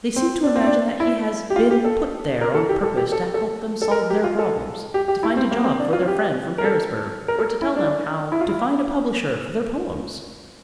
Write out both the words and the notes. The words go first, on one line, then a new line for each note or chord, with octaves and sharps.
They seem to imagine that he has been put there on purpose to help them solve their problems, to find a job for their friend from Harrisburg, or to tell them how to find a publisher for their poems.
C4
D4
C4
D4
E4
G4
F4
G4
A4
A#4
A4
G4
A4
G4
A4
A4
A4
A#4
G4
F4
A4
G4
G4
E4
C4
A#3
C4
D4
F4
G4
A#4
A4
A#4
A4
E4
D4
E4
F4
E4